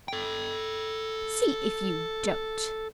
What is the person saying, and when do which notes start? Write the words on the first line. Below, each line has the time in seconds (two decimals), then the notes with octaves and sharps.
See if you don't.'
0.08 A4 G5